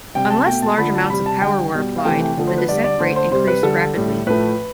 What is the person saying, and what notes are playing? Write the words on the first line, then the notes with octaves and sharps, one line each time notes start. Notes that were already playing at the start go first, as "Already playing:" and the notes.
Unless large amounts of power were applied, the descent rate increased rapidly.
C3 G3 G5
A5
B2 A3 G5
A5
D3 F3 A3 B5
A5
C3 G3 B5
A5
D3 G3 G5
B2 G3
F5
C3 E3 A3 G5
G5
D3 F3 A3
C5
B4
D3 G3 D5
D5
D3 A3 C5
C5
C3 G3 C5
B4
D3 G3 A4
A2 G3
A2 F3 A3 B4